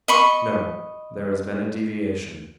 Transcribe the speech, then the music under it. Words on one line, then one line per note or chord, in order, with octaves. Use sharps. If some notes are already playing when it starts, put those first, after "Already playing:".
No, there has been a deviation.
D#5 B5 C#6